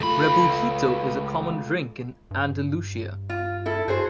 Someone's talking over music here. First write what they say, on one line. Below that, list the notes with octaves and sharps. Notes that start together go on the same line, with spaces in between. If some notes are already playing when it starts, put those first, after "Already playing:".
Rebujito is a common drink in Andalusia.
C#2 A3 F4 B5
G2
F4
E4 A4
G2 F#4 G#4 C5